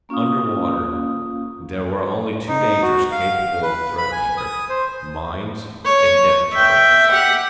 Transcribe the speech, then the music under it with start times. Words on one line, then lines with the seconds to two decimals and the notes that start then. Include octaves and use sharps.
Under water there were only two dangers capable of threatening her--mines and depth-charges.
0.09 A#3 C#4 F4 F5 D#6
2.48 D#4
2.82 F#4
3.12 F5
3.63 B4
3.98 B5
4.12 G#5
4.37 D#6
4.69 C5
5.85 C#5
6.53 E5 G5
7.11 G4 F#5